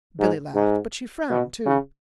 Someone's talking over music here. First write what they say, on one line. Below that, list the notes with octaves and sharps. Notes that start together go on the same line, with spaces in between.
Billy laughed, but she frowned, too.
G#2
G#2
B2
C#3